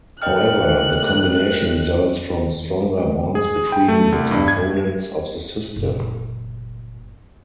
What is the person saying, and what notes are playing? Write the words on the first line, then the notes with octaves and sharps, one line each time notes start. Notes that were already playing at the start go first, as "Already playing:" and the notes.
However, the combination results from stronger bonds between the components of the system.
A4 A#4 C#5 D#5 G5 F6 F#6
G#4
G5
A3
C2
G2
G#6
F#1 A#2